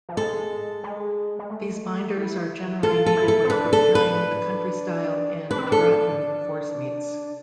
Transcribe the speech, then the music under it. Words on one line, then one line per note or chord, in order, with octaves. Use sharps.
These binders are generally needed when preparing the country-style and "gratin" forcemeats.
F3
G#3 A4
G#3
G#3
A3
E4
F4 A4
A4
E4
A4
C4
D4 B4
A4
B4
D4 B4
C4
D4
A4